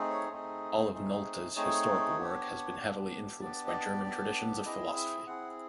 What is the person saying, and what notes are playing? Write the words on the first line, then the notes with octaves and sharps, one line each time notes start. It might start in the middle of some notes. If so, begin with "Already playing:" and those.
All of Nolte's historical work has been heavily influenced by German traditions of philosophy.
Already playing: A3 C4 D#4 G#4
C#5
A3 C4 D#4 G#4
A3 C4 D#4 G#4
A3 C4 D#4 G#4 C#5
B3 D4 G4
B3 D4 G4
B3 D4 G4 D5
D#5
D5
B3 D4 G4
C4 E4 G#4 D#5
E5
C4 E4 G#4 F#5